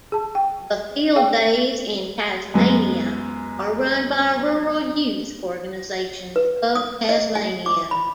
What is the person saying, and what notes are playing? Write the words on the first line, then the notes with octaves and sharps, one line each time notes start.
The Field days in Tasmania are run by Rural Youth organisation of Tasmania.
G#4 A5
G5
G#4 F5 G5
F#2 G#3 B3
B4
D#6
D#5
G#5
D6
B5